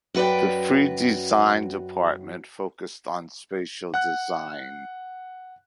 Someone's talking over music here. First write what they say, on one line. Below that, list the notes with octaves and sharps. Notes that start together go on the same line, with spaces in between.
The Free Design department focused on spatial design.
F#2 F#4 B4 D5 G5
F#5 F#6